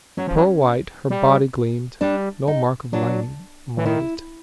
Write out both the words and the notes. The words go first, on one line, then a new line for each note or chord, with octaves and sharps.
Pearl white her body gleamed; no mark of lightning marred it.
F#3 C#4
F3
F#3
G3
G3 D4
D#4
F#3 D4
E3
D#3 E4